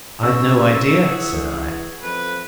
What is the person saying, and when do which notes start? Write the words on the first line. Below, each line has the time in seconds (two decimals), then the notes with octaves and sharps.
"I'd no idea," said I.
0.23 C#3 C4 E5 C#6 E6
1.05 E3 G#4 F#5
2.03 F2 B4